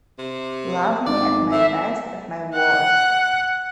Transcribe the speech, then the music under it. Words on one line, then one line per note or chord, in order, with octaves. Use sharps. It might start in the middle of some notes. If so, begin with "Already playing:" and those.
Love me at my best and my worst.
C3
G#1 D5
A2 E5
F#5